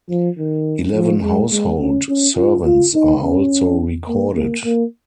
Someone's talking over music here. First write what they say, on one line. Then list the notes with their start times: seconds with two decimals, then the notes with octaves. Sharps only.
Eleven household servants are also recorded.
0.10 F3
0.38 D#3
0.94 F3
1.23 G#3
1.51 G#3
1.80 C#4
2.09 C#4
2.36 F4
2.66 F4
2.94 D#4
3.22 C#4
4.08 A#3
4.36 A#3
4.64 A#3